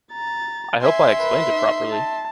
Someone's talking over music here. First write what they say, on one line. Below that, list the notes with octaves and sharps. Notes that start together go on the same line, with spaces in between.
I hope I explained it properly.
A#5 A6
E5 G#5 C6
A#4 B4
D#4
A5